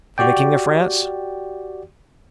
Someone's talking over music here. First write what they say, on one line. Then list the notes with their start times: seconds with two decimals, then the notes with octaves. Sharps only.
"From the king of France?"
0.18 F#4 G4 D5 G5